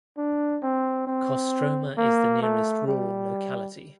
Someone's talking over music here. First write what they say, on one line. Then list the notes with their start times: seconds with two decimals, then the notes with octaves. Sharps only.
Kostroma is the nearest rural locality.
0.17 D4
0.63 C4
1.07 C4
1.97 A#3
2.42 A3
2.87 G3